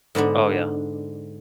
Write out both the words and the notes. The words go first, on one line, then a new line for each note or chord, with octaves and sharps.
Oh, yeah.
G#2 D3 B3 D4